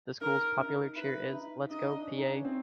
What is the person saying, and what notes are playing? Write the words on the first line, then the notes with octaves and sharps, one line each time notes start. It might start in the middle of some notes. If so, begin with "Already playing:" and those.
The school's popular cheer is, Let's go, Peay!
D#4 A#4
D#4
E4 B4
E4
D#4
D#4 D#5
D#4
D4
C#4
D#4
D4
C#4
C4